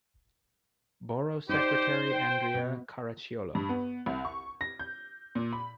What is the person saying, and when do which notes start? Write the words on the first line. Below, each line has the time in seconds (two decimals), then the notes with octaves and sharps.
Borough Secretary-Andrea Caracciolo.
1.49 D#4 G4 C5 D5
2.13 G5
2.54 B2
3.55 G2
3.69 B3
4.06 C2
4.25 C#6
4.61 A#6
4.79 G6
5.35 A#2
5.53 B5